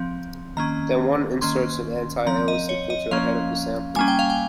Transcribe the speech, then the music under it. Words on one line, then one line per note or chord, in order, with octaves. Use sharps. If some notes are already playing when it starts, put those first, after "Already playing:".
Then one inserts an anti-aliasing filter ahead of the sampler.
Already playing: F3 C4
D#3 A#3 C#4 A#5
D#3 A#3 C#4 C6
F3 C4 A#5
D#5
C#5
D#5
F3 A#3 C#4 F5
G3 A#3 C#4 G#5
G5
F5
G5